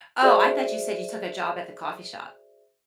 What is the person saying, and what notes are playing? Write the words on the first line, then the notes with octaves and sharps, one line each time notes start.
Oh, I thought you said you took a job at the coffee shop.
F#4 G#4 A4 C5 D5 E5